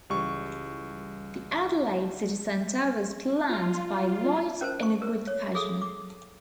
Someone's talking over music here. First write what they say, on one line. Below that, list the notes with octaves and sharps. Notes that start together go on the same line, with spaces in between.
The Adelaide city centre was planned by Light in a grid fashion.
C#2 E3 G3 C#6
F4
C#4 A#4 C5 A5
C#6
A#4
C#5
G#4 A4
D6